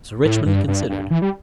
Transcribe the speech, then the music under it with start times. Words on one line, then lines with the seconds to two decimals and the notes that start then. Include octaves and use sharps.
Sir Richmond considered.
0.25 A2
0.46 G2
0.68 G2
0.89 G2
1.10 E3
1.22 G3